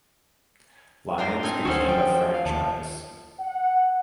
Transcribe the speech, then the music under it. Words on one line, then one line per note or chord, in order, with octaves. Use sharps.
Lions became a franchise.
D4 A#4 C5
C4 D#4 G#5
D2 D#3 C#4 F#4 A4 C5
F3 G5
F5
D#2 F3 A5
F#5